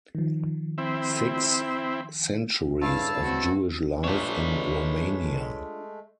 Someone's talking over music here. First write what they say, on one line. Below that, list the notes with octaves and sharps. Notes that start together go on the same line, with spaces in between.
Six centuries of Jewish life in Romania.
D#3 F3
C4 E4
G2 C#3 E4 F5 A5 E6
C4 F#4
G#3 A3 D4 F4 B4 C#5